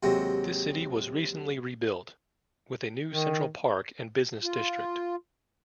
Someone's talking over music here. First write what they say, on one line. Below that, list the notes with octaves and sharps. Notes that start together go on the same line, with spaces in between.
This city was recently rebuilt, with a new central park and business district.
D#2 C3 F#3 G#3
D#3
F4